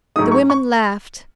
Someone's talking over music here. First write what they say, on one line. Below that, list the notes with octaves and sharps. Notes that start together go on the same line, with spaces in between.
The women laughed.
G#2 F#3 A3 D#4 D#6
C#6
C#6